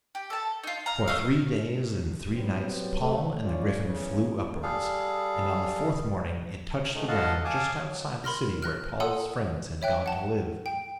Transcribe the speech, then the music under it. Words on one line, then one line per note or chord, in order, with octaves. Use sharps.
For three days and three nights Paul and the griffin flew upwards, and on the fourth morning it touched the ground just outside the city where Paul's friends had gone to live.
G4
A4 A5
D#4 F4
F5 A#5
A3 D#5 F5
F#3 G3 B3 C4
A3
F#1 C#4 F4 D5
E2 A#2 C#3
G3 G#4 A4 F5
G#2 D#3 A3 D#4
F#4 A4 D#5 F5 F#5 A5
F5 G#5 A5 D6 D#6
F#3
A#4 B5 C6 F6 A#6
F6 F#6 A#6
A4 F#5 G#5 C6 D#6 E6
C#5 E5 G5 F#6
F#5 A5
G5